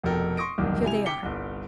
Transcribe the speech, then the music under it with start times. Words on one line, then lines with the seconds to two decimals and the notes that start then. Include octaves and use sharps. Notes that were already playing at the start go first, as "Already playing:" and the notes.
"Here they are."
0.03 F1 F2 B2 A4 A#4 G5
0.37 C6 C#6 D#6 A#6 D7
0.58 E1 C2 F#2 D#3 A#3 D6
0.83 C3 E4 G#5 F7
1.06 G5 D6 B6 C#7 G7
1.23 G1 C2